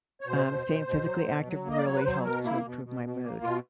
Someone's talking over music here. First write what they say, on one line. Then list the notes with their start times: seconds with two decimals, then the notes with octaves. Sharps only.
um, staying physically active really helps to improve my mood.
0.21 C#5
0.27 B2 C5
0.47 B2
0.67 B2
0.86 B2
1.07 F#3
1.26 B2
1.46 F#3
1.66 A#3 D#5
1.78 D5
1.85 F#3 C#5
1.96 B4
2.05 F#3 C5
2.24 B2 A#4
2.44 A#3 E4
2.65 B2
2.85 B2
3.05 B2
3.23 A#3
3.43 B2 F4